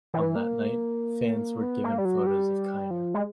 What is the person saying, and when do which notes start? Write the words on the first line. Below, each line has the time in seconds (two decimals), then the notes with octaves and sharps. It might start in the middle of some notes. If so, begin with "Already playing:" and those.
On that night, fans were given photos of Kiner.
0.14 E3
0.35 A#3
1.63 B3
1.84 A#3
1.98 G3
2.05 F#3
2.27 G3
2.91 F3
3.14 G#3